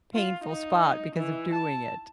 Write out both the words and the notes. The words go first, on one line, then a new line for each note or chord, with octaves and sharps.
painful spot because of doing it.
F4
D#4
E3
A5